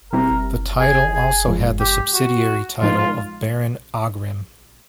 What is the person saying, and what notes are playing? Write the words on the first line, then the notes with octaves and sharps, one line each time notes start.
The title also had the subsidiary title of Baron Aghrim.
B2 G3 C4 E4 G4 A#4
G#4
G#4
F2 C#3 F3 G#3
G4
F#4
A2 F3 G#3 B3 D#4 F4
F4